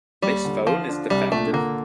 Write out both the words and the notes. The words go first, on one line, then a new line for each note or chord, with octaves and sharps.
This phone is defective.
D#2 G3
D3
F3 F4
D4
C2 G3
A#2 A3
D3 A#3